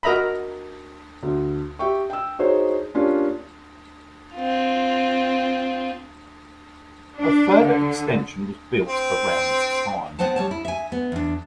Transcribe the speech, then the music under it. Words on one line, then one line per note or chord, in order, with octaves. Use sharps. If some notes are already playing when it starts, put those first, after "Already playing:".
A further extension was built around this time.
F#4 A#4 D#5 E5 A#5 B5
D2
G4 E5 G5 C#6
G5 E6
D#4 F#4 G#4 C5 C#5
A#3 C#4 D4 F4 G4
C4 F4
D4
D3
C4
B3 C4 C5 F#5 A5
G3 C#5 A5
E4
E5 G#5
B3
E2 D4